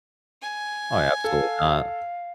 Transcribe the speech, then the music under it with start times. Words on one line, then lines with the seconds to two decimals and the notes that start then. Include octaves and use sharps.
Oh, yeah, absolutely not.
0.42 G#5
1.24 A4 F5